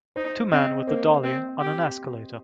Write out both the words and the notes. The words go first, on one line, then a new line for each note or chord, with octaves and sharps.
Two men with a dolly on an escalator.
D#4 C5
C4 D#5
A#3 C5
C4
G4